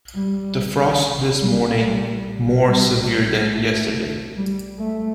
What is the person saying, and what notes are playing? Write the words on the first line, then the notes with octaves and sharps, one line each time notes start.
The frost this Morning more severe than Yesterday.
G3
G3
G3
G3
A3
G3
A3